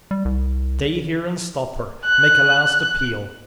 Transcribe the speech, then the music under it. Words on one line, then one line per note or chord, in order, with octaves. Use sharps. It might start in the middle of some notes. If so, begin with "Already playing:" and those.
'Stay here and stop her!--make a last appeal!
G3
C2
F#6